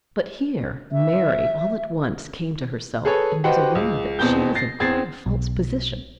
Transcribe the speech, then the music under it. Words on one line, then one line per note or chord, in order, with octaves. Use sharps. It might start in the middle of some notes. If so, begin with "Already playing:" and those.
But here Mary all at once came to herself, and was aware that she was in quite a false position.
E5
G#4 A4 B4 C#5
F#4 G4 B4 C5 D#5 F#5
C#2
D#1 E2 B2 C4 G6
A6 A#6 C7
E2 C4 G#6 A6 C7
B1